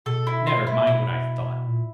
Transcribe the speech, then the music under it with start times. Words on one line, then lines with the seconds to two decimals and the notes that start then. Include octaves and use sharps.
Never mind what I thought!
0.06 B2 A4
0.27 E4
0.47 F4
0.67 E4
0.87 B2 E4
1.67 A#2